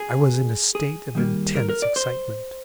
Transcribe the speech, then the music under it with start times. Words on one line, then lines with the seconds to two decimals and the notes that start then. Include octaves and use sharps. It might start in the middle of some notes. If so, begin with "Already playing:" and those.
I was in a state of intense excitement.
Already playing: G#4
0.75 G#4
1.15 D#3 G3 A#3
1.56 A#4
1.69 A#4
1.82 D5
1.96 C5